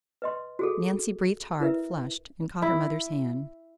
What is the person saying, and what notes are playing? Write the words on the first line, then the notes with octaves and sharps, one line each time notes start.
Nancy breathed hard, flushed, and caught her mother's hand.
B4 D#5 C6
F#4 G#4 A4
E4 A#4 B4 E5
E4